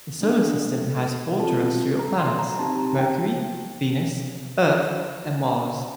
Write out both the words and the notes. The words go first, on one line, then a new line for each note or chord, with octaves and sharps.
The Solar System has four terrestrial planets: Mercury, Venus, Earth, and Mars.
A3 D4 A4
C4 F4 A4 A5
A#5
C6
A#5
C4 D#4 G4 A5
A#5
G5